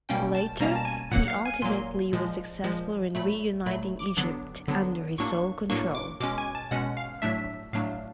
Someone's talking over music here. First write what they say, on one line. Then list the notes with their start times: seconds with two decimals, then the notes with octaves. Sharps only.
Later, he ultimately was successful in reuniting Egypt under his sole control.
0.09 B2 G3 A#3 C#4 G5
0.35 A5
0.60 B2 G3 A#3 C#4 A#5
0.75 A5
0.85 G#5
1.12 A#2 F#3 A#3 F#5
1.28 F5
1.46 G#5
1.62 A#2 F#3 A#3 C6
2.13 A#2 F3 G#3
2.64 A#2 F3 G#3
3.15 A#2 F#3 A3 B5
3.66 A#2 F#3 A3 B5
3.99 D6
4.17 D3 F#3 B3 D4
4.68 D3 F#3 B3 D4
5.18 A2 F#3 A#3 D4 C#6
5.70 A2 F#3 A#3 D4 C#6
5.95 D6
6.20 B2 G#3 C#4 D6
6.38 G#5
6.55 A5
6.71 B2 G#3 C#4 F#5
6.97 F5
7.22 A2 F#3 A3 D4 E5
7.73 A2 F#3 A3 D4 F5